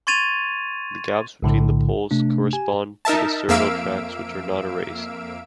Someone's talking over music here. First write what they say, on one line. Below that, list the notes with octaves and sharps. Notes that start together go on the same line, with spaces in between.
The gaps between the poles correspond to the servo tracks, which are not erased.
C6 C#6 G#6 A6 D#7 F7
B1 A2 D3
C3 A3 D4
G4 G#5
D#4 A#4 E5 A5
F2 A#3 E5 F5 E6 D7